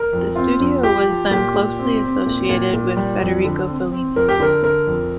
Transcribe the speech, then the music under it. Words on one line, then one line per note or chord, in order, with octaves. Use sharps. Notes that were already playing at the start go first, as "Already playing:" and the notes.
The studio was then closely associated with Federico Fellini.
Already playing: A#4
F2
C4 F4
F2
F3 G4
F3
A#2 G4
A#2
C4
C4
A#2
A#2
A#2
G3
F2
D3
C4
C4
F2 A#4
G4
D3 A#4
D3 A#4
F2